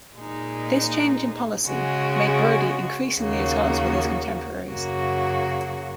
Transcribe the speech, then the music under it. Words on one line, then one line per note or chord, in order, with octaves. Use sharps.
This change in policy made Brodie increasingly at odds with his contemporaries.
A#2 G#3 D#4
C#3 G#3 F#4
D#2 C#3 A#3 F#4
F#2 C#3 F#3 A#3 F#4